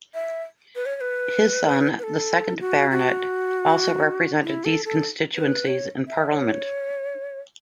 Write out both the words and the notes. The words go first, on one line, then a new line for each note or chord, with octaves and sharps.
His son, the second Baronet, also represented these constituencies in Parliament.
E5
B4
C#5
C#5
B4
B4
A4
F#4
F#4
E4
A4
A4
B4
C#5
E5
E5
C#5